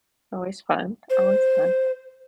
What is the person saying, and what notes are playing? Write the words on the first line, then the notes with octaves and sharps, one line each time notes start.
Always fun, always fun.
C5